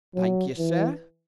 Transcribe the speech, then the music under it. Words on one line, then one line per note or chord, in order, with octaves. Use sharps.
"Thank you, sir."
F#3
E3